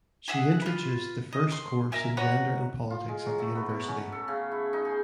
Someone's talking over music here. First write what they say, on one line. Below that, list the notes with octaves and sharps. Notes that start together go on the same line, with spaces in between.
She introduced the first course in gender and politics at the university.
G#4 E5 F#5
F4 B4
D#5
C6
A#4 E5 G#5
B4 C#5 F#5 A#5
F4
G#3
F#3
A3
B3
B2
C#4
A4
C#3
E4
D#4
G#4